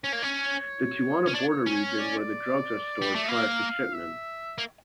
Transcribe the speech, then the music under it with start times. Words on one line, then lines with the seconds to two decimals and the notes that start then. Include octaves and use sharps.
The Tijuana border region where the drugs are stored prior to shipment.
0.04 C#4 C#5
0.13 A#3
0.23 C#4
1.27 C#4
1.34 D4
1.66 C#4
1.99 D5
3.02 G3
3.15 A3
3.28 A#3 F5
3.94 E5
4.58 A#3